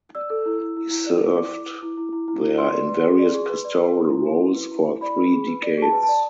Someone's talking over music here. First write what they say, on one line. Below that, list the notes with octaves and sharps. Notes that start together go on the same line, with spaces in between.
He served there in various pastoral roles for three decades.
D5 E6
A4
E4
E4
E4
E4
D5
E4
D5 D6
E4
B4
E4
E4
E4
E4
E4
B4 C6
D5
B4
G#4
D5
G#4
B4
D5
B4
E4
E4
E4
E4
B4
E4
E4
D5 B5
B4
G#4
B4
D5
G#4 A5
B4
A5
D5